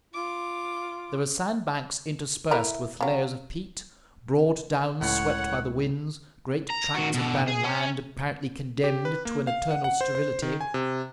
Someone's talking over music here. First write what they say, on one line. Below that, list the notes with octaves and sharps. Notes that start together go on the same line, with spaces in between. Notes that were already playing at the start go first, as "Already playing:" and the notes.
There were sand-banks interspersed with layers of peat, broad downs swept by the winds, great tracts of barren land apparently condemned to an eternal sterility.
F4 D6
A3 E4 A#4
C#3 F#3
C#2 A2 C#5 F#5
A#5
D#3 F#4
B2 D3
G#4
C#4
G4
B4
A#3
F5
F#5
F#5
C5
C5
D#3
G#5
C3